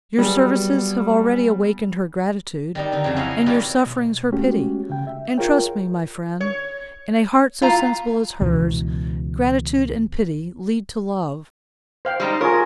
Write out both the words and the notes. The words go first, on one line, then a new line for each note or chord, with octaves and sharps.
Your services have already awakened her gratitude, and your sufferings her pity; and trust me, my friend, in a heart so sensible as hers, gratitude and pity lead to love.
F#3 G3 B3 G#4
D#3 G3 D#4
D3 D#4
F2 C#3 F#3
C#4 E4 D#5 F5 F#5
G#5
G3 A#3 D#4 F4 F#4 B4
B2
G#3 A3 C#4 F#4 G4
C#3 G5
E5
F4 G#4 A#4 C#5 G5
C#5
A2 F4 F5 A#5
C#2 B2 E3
C5 F5 G5
G3 G#3 D#4
F4 G#4 A#4 C#5